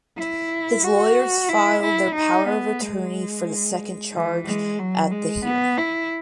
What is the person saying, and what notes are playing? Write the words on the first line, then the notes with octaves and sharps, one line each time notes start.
His lawyers filed their power of attorney for the second charge at the hearing.
E4
F#4
E4
E4
D#4
B3
G#3
E3
G#3
F#3
G#3
B3
E4